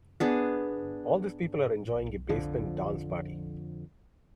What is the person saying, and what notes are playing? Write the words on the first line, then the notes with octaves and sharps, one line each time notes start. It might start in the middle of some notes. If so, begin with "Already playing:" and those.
All these people are enjoying a basement dance party.
B3 D4 G#4
F2 D3 F3